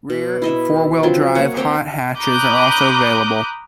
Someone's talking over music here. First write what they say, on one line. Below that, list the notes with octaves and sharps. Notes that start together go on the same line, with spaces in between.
Rear and four-wheel drive hot hatches are also available.
B2
E4 D#5 E5
F3 F#3 C4
A#3 C#5 F#5
C4 G5 A#5
A#5 B5 D6 D#6 F#6 G6